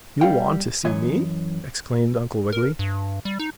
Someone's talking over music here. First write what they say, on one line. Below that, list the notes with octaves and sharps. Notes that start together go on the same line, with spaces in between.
"You want to see me?" exclaimed Uncle Wiggily.
G3 F5 G5
F#2 E3 C#5 D#5
A#4
G2
G3
D#4